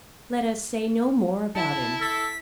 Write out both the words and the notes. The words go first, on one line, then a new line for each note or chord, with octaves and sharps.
Let us say no more about him.
E4 A5
A4 B6